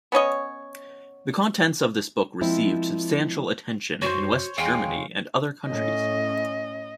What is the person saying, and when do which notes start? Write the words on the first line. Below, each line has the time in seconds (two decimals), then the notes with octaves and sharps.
The contents of this book received substantial attention in West Germany and other countries.
0.12 B3 C#4 C#5 D#5
2.41 F3 G#3 A#3 C4 E4
4.02 F#2 F#4 C5 C#5
4.58 E2 G#3 F5 G5
5.68 A2 C#4 D#5